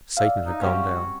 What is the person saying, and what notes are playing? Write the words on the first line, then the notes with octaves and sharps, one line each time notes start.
Satan had gone down.
D5 E5 F5
D#4
G3 C4 C#4 F#4